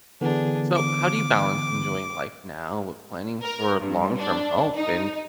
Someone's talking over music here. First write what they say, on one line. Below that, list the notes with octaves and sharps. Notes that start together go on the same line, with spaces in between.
So, how do you balance enjoying life now with planning for long-term help in
D3 E3 B3 D4 G#4
D6
A#4
G2
D4
D#4